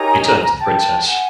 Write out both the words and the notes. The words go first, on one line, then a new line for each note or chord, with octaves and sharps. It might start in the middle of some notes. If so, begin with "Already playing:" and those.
He turned to the Princess.
Already playing: D#4 G4 A#4 C#5 G#5 A#5
G5 A5
F#5 G#5